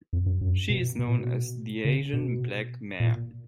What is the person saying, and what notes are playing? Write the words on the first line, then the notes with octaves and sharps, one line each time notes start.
She is known as the Asian Black Mare.
F2
F#2
F#2
B2
B2
A#2
B2
C#3
B2
A#2